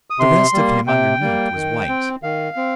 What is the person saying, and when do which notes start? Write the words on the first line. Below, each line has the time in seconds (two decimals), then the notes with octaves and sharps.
The rest of him underneath was white.
0.10 D#6
0.19 C3 C6
0.53 G3 A#3
0.87 C3 G5
1.21 G3 A#3
1.55 D#3
1.88 C4
2.23 D#3 F5
2.57 C4